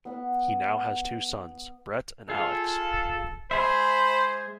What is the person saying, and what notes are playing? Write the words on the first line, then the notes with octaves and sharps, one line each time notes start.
He now has two sons, Brett and Alex.
B3 F#5
F4 G#4 A4
G#3 G#4 C5 E5 B5